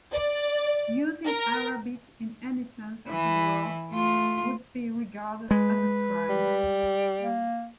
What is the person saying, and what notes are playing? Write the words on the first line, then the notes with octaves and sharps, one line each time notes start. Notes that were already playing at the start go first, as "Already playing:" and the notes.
Using Arabic in any sense of the word would be regarded as a crime.
D5
A#4
E3 E4
A3 F4
G#3 B4
G3
A#3